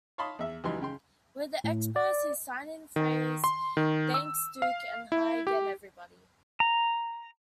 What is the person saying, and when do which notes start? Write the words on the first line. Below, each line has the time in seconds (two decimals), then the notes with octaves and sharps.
With the Expos, his sign-in phrase Thanks Duke and hi again, everybody.
0.18 C#5 F5 A5 B5 C6 D#6
0.39 E2 E5
0.64 C#2 E3 F#3 G3 D#4 C6
0.81 C#3 G5 C6
1.64 A2
1.96 D5
2.96 D#3
3.44 C6
3.77 D#3
4.14 E6
4.62 F5
5.12 E4
5.47 G4
6.60 A#5